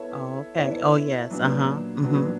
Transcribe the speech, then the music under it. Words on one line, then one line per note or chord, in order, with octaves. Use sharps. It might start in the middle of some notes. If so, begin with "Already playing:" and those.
Oh okay oh, yes, uh-huh, mhm.
Already playing: B3 E4 A4 C#5 E5
B3 E4 A4 C#5 E5
A#2 F#3 B3 D4
A#2 F#3 B3 D4